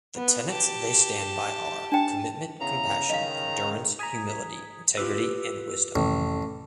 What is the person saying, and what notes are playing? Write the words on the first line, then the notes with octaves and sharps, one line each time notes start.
The tenets they stand by are: Commitment, Compassion, Endurance, Humility, Integrity and Wisdom.
B3
G4 A5
D4 G5 A5
E2 C#3 A#5
D#3 D#5 F5
G#5 A#5 D#6 G#6 B6
F4 G4 B4 E6
A1 F2 C3 D#3